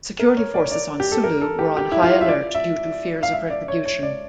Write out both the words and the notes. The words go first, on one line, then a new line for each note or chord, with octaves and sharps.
Security forces on Sulu were on high alert due to fears of retribution.
A#4
C#5
D5
C#5
D5
G4
A4
A#4
A4
G4
G4
E4
F4
E5
D5
E5
F5
E5
D5
C#5
C#5
D5